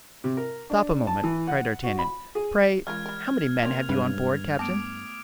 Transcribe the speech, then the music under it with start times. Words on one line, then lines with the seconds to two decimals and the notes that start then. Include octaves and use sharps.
"Stop a moment," cried D'Artagnan; "pray how many men have you on board, captain?"
0.24 C3
0.37 A#4
0.70 D4
1.07 A5
1.24 E3
1.48 F#5
1.83 F#4
1.99 B5
2.35 G#4
2.87 C#3 E3 G#3 F4 A#4 F6 G#6
3.06 G3 A#4
3.63 F3 A#3 C4 A#4 D5 F7
3.89 G2 G3 G#3 E4 B4 C#5
4.59 A3 B3 A5 D6 D#6 D7